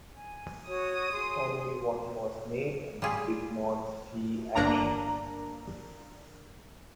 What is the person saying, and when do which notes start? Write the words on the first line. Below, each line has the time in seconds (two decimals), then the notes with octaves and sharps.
Only one was made and it did not see action.
0.15 G#5
0.68 F#4 C#5 D#6
1.12 G#4 C6
3.02 G3 F4 G#4
4.55 G1 A#3 D4 A#5